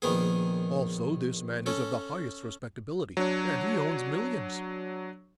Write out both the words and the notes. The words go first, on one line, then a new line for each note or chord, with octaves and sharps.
Also this man is of the highest respectability, and he owns millions.
A#1 D#3 B3 G#4
C#4 A4
F#3 D4 C#5